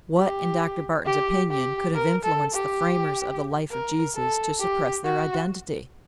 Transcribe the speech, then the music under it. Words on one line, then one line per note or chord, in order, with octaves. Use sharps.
What, in Dr. Barton's opinion, could have influenced the framers of the life of Jesus to suppress their identity?
G4
G4
G4
A#4
A4
G4
A#4
A4
G4
F#4